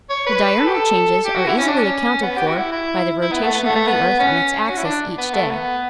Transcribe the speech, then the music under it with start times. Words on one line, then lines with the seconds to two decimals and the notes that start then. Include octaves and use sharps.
The diurnal changes are easily accounted for by the rotation of the earth on its axis each day.
0.10 C#5
0.26 B4
0.59 A4
0.67 G4
0.74 A4
1.25 G4
1.36 F#4
1.47 E4
1.58 C#4
1.68 D4
1.79 C#4
2.23 B3
2.37 G4
2.47 F#4
2.56 E4
2.72 E4
3.21 E4
3.32 B3
3.43 A3
3.54 B3
3.64 A3
3.75 A3
3.87 B3
4.20 C#4
4.70 F#4
4.77 E4
4.84 D4
5.18 B3
5.34 A3
5.50 B3